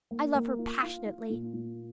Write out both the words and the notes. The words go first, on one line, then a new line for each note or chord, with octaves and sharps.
I love her passionately.
A#3
A#3
F4
F4
F4
A#2
A#2